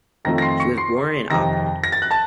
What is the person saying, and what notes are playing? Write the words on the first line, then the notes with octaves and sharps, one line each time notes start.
She was born in Auckland.
F2 D#3 A3 C4 F4 A#5 A#6
A#6
C6 C7
C#6 C#7
C6 C7
F2 C3 D#3 A#5 A#6
A#6
A6
F#6
A5 A6